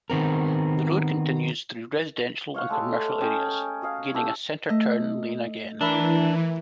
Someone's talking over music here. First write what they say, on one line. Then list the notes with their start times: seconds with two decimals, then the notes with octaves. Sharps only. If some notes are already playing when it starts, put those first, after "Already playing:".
The road continues through residential and commercial areas, gaining a center turn lane again.
0.10 D#3 B3 C4 A#4
2.54 C#5 F5 F#5 C#6
2.69 G#3 A3 G4
3.21 C#4 G#4 G5 A#5
3.82 F#4 G#4 F5
4.14 E4 G4 A4
4.69 A3 D#5
5.81 E3 D4 A#4 E5 B5